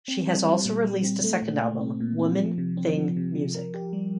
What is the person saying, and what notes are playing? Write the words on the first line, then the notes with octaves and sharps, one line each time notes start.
She has also released a second album, "Woman Thing Music".
C4
G3
G3
A#2
G3
C4
A3
A#2
A3
C4
A#2
C4
F3
C3
C4
F3
C3
F3
A#4
G4
G3